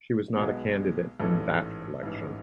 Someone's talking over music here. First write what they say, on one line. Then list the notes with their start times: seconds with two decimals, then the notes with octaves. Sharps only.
She was not a candidate in that election.
0.35 B1 B2 G#3 B3
1.20 A1 G#2 E3 A4
2.03 A1 G#2 E3